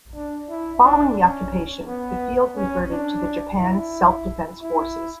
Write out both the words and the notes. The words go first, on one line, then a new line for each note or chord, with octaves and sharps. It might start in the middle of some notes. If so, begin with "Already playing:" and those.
Following the occupation, the field reverted to the Japan Self-Defense Forces.
D4
E4
D4
C#4
B3
C#4
D4
E4
E4